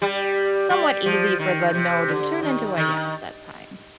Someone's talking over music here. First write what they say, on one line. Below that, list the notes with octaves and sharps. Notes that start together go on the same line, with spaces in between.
somewhat easy for the "no" to turn into a "yes" at times.
G3
G3
F3
D#3
C3
D3
D#3
D#3